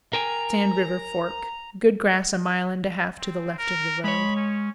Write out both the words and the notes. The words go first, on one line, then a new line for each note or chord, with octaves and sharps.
Sand River Fork.--Good grass a mile and a half to the left of the road.
A#4 G5 G#5 A#5
C4
A#4
G#3 C#5 B5
C#4